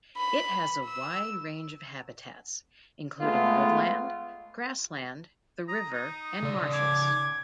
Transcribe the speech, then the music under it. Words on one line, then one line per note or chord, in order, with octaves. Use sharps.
It has a wide range of habitats, including woodland, grassland, the river and marshes.
B5
E6
G#3 A3 B3 F4
A#5 D#6
D#4
C#3 D5
D6 G#6